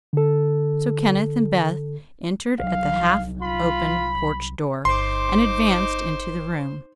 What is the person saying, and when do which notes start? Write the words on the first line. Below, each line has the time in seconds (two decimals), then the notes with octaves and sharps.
So Kenneth and Beth entered at the half-open porch door and advanced into the room.
0.13 D3 A4
2.60 C2 F#3 F5
3.42 F4 B5
4.85 G1 D#4 C5 C6 D6